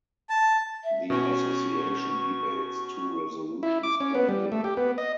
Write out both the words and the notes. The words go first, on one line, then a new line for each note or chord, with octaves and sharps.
The association debates two resolutions per year.
A5
E5
B2 C#4 C#6
E4
D6
C#4
B3
G3
A3
G4
B3
D#5